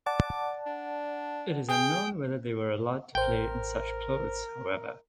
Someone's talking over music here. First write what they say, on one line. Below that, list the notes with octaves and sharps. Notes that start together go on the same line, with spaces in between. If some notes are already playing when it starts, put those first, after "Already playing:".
It is unknown whether they were allowed to play in such clothes however.
D5 F#5 A5 D6
D4
G#4 G5
A1 A#4 C5 G5